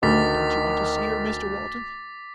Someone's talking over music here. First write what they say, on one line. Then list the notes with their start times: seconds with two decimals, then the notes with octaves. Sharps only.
"Don't you want to see her, Mr Walton?"
0.03 D2 D#3 D6 A6 B6